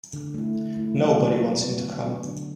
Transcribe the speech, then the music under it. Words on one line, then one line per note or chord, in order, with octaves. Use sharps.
Nobody wants him to come.
D3
A3 E4
D3
A3 E4
F#3
B3 F#4
F#3
B3 F#4
D3
F#3 B3 D4
D3